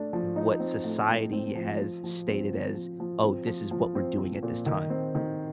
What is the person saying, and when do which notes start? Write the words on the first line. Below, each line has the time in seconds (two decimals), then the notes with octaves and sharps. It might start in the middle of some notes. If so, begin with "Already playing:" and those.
what society has stated as, "Oh, this is what we're doing at this time."
Already playing: A3 D4
0.13 F3
0.36 D#4
0.60 C4
0.84 A2
1.09 A2
1.33 C4
1.55 F3
1.80 F3
2.04 F3
2.28 C4
2.51 F3
2.75 F3
3.00 F3
3.23 C4
3.47 F3
3.71 F3
3.95 C4
4.18 C4
4.43 A#2
4.66 D#3
4.90 C4
5.15 D#3